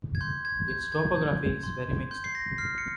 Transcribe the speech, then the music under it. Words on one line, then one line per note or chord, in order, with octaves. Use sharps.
Its topography is very mixed.
G#6
C6 G6
G#6
G6
G#6
G6
C6
C6 G6
C7
A#6
F6 C7
C#7